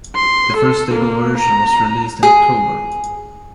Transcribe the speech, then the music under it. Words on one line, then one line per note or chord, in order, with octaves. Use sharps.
The first stable version was released in October.
C6
A4
A#3
A#5
G#4